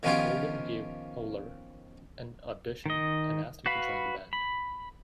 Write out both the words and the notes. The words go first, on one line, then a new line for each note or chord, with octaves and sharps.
McColgan gave Hollar an audition and asked him to join the band.
D#3 F3 B3 C#4 F4 G4
D#3 D#5
F#4 B4 F5 B5
B5